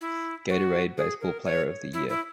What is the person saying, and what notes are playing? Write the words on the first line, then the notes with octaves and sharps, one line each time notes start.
Gatorade Baseball Player of the Year.
E4
F#4
G#4
A#4
C#5
E4
E4